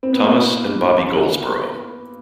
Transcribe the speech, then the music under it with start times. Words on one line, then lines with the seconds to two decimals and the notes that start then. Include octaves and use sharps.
Thomas and Bobby Goldsboro.
0.03 C4
0.13 B3
0.22 A#3 C4